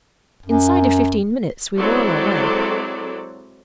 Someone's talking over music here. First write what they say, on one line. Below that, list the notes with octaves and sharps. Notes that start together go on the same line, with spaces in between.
Inside of fifteen minutes we were on our way.
F#2
F#3 G#3 C4 E4 A4 D5